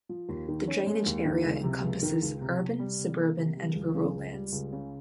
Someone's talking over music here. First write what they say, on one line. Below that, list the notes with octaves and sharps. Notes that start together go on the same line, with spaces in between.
The drainage area encompasses urban, suburban and rural lands.
F3
D#2
D#3
C#4
G#3
D#2
D#3
C#2
C3
C#2
D#3
C#2
C3
C3
G3
C3
A#3
C3
G3
C#2
C#3
C#2
G3
C#2
C#3